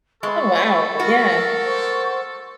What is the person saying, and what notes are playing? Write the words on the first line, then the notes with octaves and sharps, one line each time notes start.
Oh, wow. Yeah.
G#3 A4 B5 C#6
F#4 A#4
C5 F#5 C#6